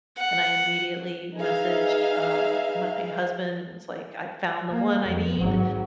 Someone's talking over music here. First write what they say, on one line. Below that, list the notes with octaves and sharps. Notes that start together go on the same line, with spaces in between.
And I immediately messaged, um, my husband and was like, "I found the one I need,
F#5
D#4 G#4 B4 E5 F5
A#3
F2
G#1 F#3